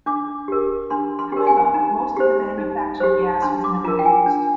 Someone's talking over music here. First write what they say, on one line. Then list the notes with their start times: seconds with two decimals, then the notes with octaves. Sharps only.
However, most of the manufactured gas was never used.
0.06 D4 D6
0.48 G4 A#4
0.90 D4 C6
1.19 C6
1.32 G4 A#4
1.47 G#5
1.74 D#4 A#5
2.16 G4 C5
2.58 D#4
3.00 G4 C5
3.42 D4 C6
3.64 D6
3.84 F4 A#4 A#5
3.99 G5
4.05 G#5
4.26 D4